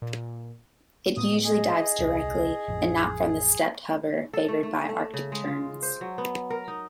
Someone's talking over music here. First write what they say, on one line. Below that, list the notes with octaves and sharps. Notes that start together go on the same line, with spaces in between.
It usually dives directly, and not from the "stepped-hover" favoured by Arctic terns.
A#2
A2 A#3 B3 D#6
G#4 D#5
D#1 C2
A1 F2
A4
A3
A3
A3
C#3
G#3
F4
C5
F#3
B3
A#4
D#4